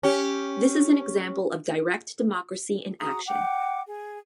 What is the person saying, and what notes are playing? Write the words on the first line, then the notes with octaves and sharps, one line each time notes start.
This is an example of direct democracy in action.
C#4 G4
F#4 G#4 A#5 D#6
F#5 G5 D6
G#4